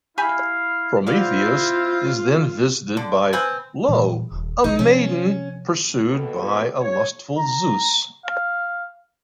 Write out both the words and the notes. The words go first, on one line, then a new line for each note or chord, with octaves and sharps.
Prometheus is then visited by Io, a maiden pursued by a lustful Zeus.
E4 G4 F5 G#5 B5
F#3 C4 E4 F4 C5 D5 F5
D3
C4 B4 G#5
A#2 E3 G3
D#1
A#1 F3 F#3 D#4
C3 F3 C#4
D#2 B2 A4
F2 B3 G4
C#5
A#5
F5